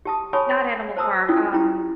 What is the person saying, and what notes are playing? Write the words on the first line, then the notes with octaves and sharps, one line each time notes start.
not Animal Farm, um
G4 A5 D#6
C#5 G#5 A5 B5 C#6 D#6
C5 A5 A#5 D#6 E6
C#4 E4 F4 D#6
C#4 E4 G4 A#5